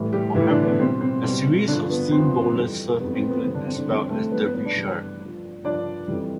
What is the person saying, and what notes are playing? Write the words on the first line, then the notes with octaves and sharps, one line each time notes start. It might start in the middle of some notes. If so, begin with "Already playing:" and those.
However, a series of seam bowlers served England as well as Derbyshire.
Already playing: A2 E3 G3
G3 G4
A2 E3 G3 E4
D3 D4
B3
B2 G3 C4
C4
B2 G3
G2 D3 F3 D4
B3
G2 F3 C4
F2 E3 G3
F2 E3 G3 B3
C4
B3
G2 E3 G3 C4
D3 D4
C4
D3 D4
G2 E3 G3 C4
A3 A4
G2 E3 G3 B3 B4
B3 B4
B3 B4
D4 D5
G2 E3 G3
G2 F3
G2 F3 D4 D5
F2 E3 G3